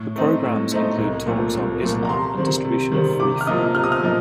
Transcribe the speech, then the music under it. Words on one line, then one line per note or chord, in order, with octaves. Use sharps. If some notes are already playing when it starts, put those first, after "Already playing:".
The programs include talks on Islam and distribution of free food.
Already playing: A2
A3 C4 D#4
A2
A3 C4 D#4
C2
A#2 F3 A3
C2
A#2 F3 A3
A#5
C3 C6
D#3 G3 C4
C3
D#3 G3 C4
C3 D6
F6
F3 A#3 D#4 D#6
C3 F6
D#6
F6
F3 A#3 D#4